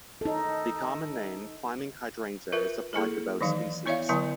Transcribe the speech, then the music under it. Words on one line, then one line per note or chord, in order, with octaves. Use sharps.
The common name Climbing hydrangea is applied to both species.
D#4 A4
F4 A#4 B4 E5
A#3 E4 G#4 A4
D#3 E3 F#3 D#4 F5
B3 E4 C#5 D5 E5 F5
D3 F#3 B3 E4 E5 A5